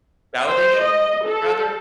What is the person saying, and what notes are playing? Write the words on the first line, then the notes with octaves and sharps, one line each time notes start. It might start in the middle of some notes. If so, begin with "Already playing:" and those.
Validation rather?
C5
D#5
A4